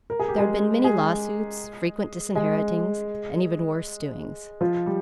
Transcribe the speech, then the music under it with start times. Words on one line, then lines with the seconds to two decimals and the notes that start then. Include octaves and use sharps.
There had been many lawsuits, frequent disinheritings, and even worse doings.
0.10 A#4
0.20 G#4
0.28 G4
0.38 G#3 G#4
0.84 G#3 G#4
2.35 G#3 G#4
4.61 F3 F4
4.86 G3